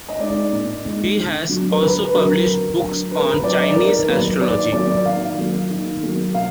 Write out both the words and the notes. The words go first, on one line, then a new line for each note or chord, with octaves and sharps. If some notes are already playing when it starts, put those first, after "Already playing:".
He has also published books on Chinese astrology.
D#5
G#3 D#4 D5
A#2
G#3 D#4
D3
F#3 D4
A#4
D3 B4
B4
F#3 D4 A#4
D3
F#3 D4
D3 B4
A#4
B4
F#3 D4 D5
D#5
D5
D#3 A#4
F#3 A#3 B4
D#3 D5
F#3 A#3 D5
D#3 F5
F#3 A#3
D#3
F#3 A#3
B2 F5